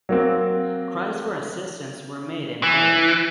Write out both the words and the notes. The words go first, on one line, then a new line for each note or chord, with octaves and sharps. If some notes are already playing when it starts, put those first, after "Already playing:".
Cries for assistance were made in vain.
F#3 A#3 C4
E3